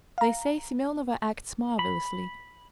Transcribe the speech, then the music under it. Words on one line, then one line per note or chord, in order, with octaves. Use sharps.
They say Semenova acts marvelously.
F5 A#5
B5